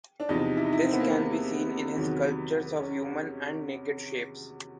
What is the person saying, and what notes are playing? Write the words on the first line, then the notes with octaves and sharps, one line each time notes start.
This can be seen in his sculptures of human, and naked shapes.
D4
E2 C3 F3 D#4
E4
D#4
E4
C4
B3
A#3
B3
E2 C3 D#3 F#3
C#4